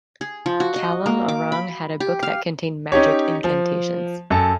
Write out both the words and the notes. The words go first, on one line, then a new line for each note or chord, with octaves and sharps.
Calon Arang had a book that contained magic incantations.
G#4
F3
F#4
D#5
A#3
D6
B5
G4
F5
C#4 D#4 G4 C#5
F3
F#2 A4 A5